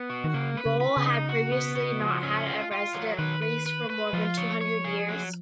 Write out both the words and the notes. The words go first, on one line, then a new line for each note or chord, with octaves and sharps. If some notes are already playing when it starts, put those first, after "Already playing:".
Bole had previously not had a resident priest for more than two hundred years.
Already playing: B3
F#4
D#3
C#3 A#3
B4
C#3
B4
C#3
D#4
F#4
B3
F#4
F3
C#4
F4
F4
F#3
D#3 B4
B4
B4
B4
F3 F4
C#5
C#5
G#4
F#3